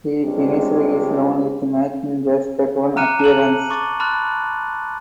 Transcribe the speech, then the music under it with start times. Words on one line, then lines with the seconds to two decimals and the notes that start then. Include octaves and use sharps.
He finished his loan with making just that one appearance.
0.23 C#2 G2 C3 G3 G#3
2.97 A#5 D6 F6 F#6 C#7 D#7
3.19 A5 F#7
3.70 C#6 D6 A6
4.00 A5 B5 C6 F6 F#6 A6